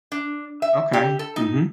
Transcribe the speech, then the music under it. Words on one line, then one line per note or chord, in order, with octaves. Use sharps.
Okay. Mhm.
D4
E5
G4
A4
D#4